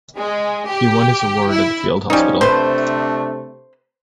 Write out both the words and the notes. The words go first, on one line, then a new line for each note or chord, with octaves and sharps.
He won his award at the field hospital.
G#3
G4
E4
F3 G3 C#4 D#4
C3 A3 D4 B4 C5